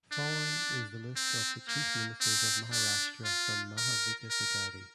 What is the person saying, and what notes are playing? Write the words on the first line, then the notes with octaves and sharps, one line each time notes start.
Following is the list of the Chief Ministers of Maharashtra from Maha Vikas Aghadi.
D4
C4
A#3
C4
D4
F4
A#4
A#4